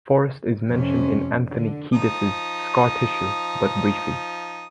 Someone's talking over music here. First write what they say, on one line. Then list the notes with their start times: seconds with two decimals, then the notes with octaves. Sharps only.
Forrest is mentioned in Anthony Kiedis's "Scar Tissue", but briefly.
0.70 F2 C3 C#4
1.50 D3
1.93 F3 D#4 D#6